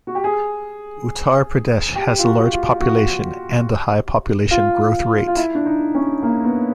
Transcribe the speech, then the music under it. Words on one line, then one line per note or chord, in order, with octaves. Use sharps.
Uttar Pradesh has a large population and a high population growth rate.
F#4
G4
G#4
G4
F4
F#4
F4
F#4
F4
F4
E4
D4
D#4
C#4
A#3
B3